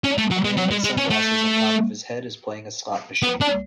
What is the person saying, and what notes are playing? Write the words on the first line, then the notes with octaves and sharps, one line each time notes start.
A man with sunglasses on top of his head is playing a slot machine.
C#4
A3
F#3
G#3
F#3
G#3
G#3
C#4
A3
B3
D4